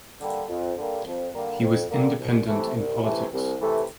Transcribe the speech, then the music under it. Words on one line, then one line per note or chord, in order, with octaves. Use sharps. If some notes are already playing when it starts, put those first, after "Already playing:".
He was independent in politics.
D3 G3 A#3
F2
D3 G3 A#3
F2
D3 G3 A#3
F2
D3 G3 A#3
C2
C3 E3 A3
C2
C3 E3 A3
C2
C3 E3 A3